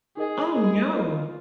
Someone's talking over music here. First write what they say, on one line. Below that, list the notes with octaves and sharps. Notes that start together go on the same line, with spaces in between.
Oh, no.
D#4 G#4 A#4 D#5
D#4 G#4 A#4 D#5
D#4 F4 A#4 D#5